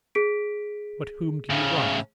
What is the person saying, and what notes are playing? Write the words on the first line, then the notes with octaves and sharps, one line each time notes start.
But whom do you want?
G#4 B6 D7
A2 C#3